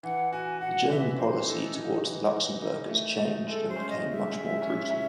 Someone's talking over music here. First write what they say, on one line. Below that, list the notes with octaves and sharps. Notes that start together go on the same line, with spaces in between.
The German policy towards the Luxembourgers changed, and became much more brutal.
E3 F#5
F#4 G#5
F#4 F#5
E3 E5
E3 C5
D#4 A4
D#4
E3
E3
D#4
A3
A3
G#3 A4
C5
C#4
D#5
G#3
E5
G#3
C#4
C#4